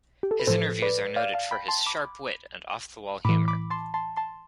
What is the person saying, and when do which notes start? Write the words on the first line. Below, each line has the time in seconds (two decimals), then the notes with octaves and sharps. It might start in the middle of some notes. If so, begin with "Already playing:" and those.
His interviews are noted for his sharp wit and off-the-wall humor.
0.23 G4
0.31 A4
0.40 B4
0.47 A2 F3 A4 C5
0.82 B4 D5
1.16 D5 F5
1.34 F5 A5
1.51 G5 B5
1.68 A5 C6
1.86 B5 D6
3.25 A2 E3 B5 D6
3.48 B5 D6
3.70 A5 C6
3.94 A5 C6
4.17 A5 C6